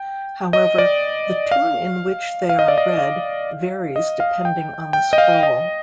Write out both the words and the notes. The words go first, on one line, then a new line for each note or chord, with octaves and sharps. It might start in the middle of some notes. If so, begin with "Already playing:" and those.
However, the tune in which they are read varies depending on the scroll.
Already playing: G5
D#5
D5
F5
F5
D#5
D5
D#5
F5
D#5
F5
G5
G5
D#5
F5
D#5